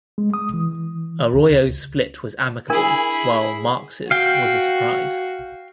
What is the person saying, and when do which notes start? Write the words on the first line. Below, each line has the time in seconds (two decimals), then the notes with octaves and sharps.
Arroyo's split was amicable while Marx's was a surprise.
0.18 G#3
0.34 D#6
0.54 E3
1.34 C#2
2.70 D4 E4 G#4 A#4
4.11 F#4 F5 G5